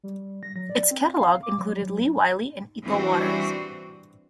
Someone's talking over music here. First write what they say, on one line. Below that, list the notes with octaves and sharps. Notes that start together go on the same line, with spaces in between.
Its catalogue included Lee Wiley and Ethel Waters.
G3
A#6
F#3
D5
C4
F5
D6
F#3
E3 G3 C4 D4 F#4